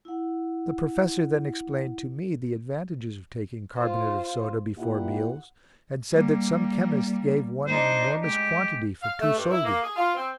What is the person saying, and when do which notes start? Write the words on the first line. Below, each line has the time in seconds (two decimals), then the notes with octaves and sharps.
The professor then explained to me the advantages of taking carbonate of soda before meals and said that some chemists gave one an enormous quantity for two soldi.
0.05 E4 F#5
3.76 F4 C5
4.77 A#2 E4 G4 F#5
6.11 G3 A#3
7.67 D4 D#4 C5
8.23 G#3 G4
9.02 F5
9.19 A3
9.35 G2
9.51 E4
9.64 A#3
9.81 G#4
9.96 F4
10.15 C4